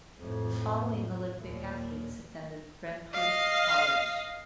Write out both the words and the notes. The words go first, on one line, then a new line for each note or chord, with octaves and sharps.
The following Olympic athletes attended Brentwood College.
F2 A2
D#2 A#2
D#5 F5